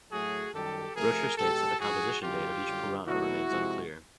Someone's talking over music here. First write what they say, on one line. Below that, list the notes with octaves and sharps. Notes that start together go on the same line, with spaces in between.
Rocher states that the composition date of each Purana remains unclear.
A2 F#3 A3 F#4 G#4
F#2 D#3 G3 G4 A4
C3 F3 A3 G#4 A#4
B2 G#3 G4 A4
G#2 F3 G#3 F#4 G#4
F#2 D3 F#3 F4 G4
F#2 D3 G3
B2 F#3 A3 E4 F#4
C3 F3 G#3